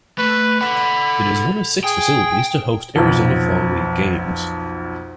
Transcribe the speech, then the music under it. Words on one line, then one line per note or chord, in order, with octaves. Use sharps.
It is one of six facilities to host Arizona Fall League games.
A3 B4
A4 F#5 B5
G#4 G5
B1 F2